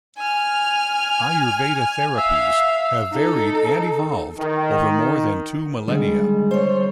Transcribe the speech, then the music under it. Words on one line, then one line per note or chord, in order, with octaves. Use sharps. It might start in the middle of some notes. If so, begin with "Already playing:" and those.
Ayurveda therapies have varied and evolved over more than two millennia.
G#5 F6
E5 F5
D#4 A4
D#3
D3 D#3 G3 G#3
C5 C#5